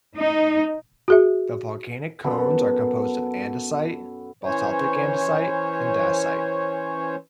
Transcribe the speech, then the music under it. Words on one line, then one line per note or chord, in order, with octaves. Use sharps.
The volcanic cones are composed of andesite, basaltic andesite and dacite.
D#4
F#4 G#4 E5
F#2 B3 A4 B5
E3 C#4 C5 C#5